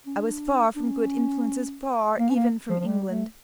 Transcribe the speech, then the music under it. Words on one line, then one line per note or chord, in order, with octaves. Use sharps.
I was far from good influences--far even from England.
C#4
D4
D4
C#4
A#3
C#4
A#3
F3
F3
G3
A3